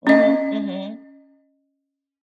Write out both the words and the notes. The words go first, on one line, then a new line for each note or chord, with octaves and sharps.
Mhm, mhm.
C#4 D#5